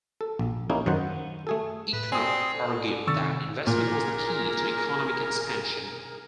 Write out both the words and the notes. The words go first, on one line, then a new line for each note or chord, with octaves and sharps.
Eichner argued that investment was the key to economic expansion.
A4
A#1
A#3 C#4 D#4 E4 G#4
F#2 D#3 C5 F#5
A3 G#4 A4
A2 B4
C4 D5 G#5 D#6
D3
C3 D#3 C#6 E6 A6
A#2 G#4 A#4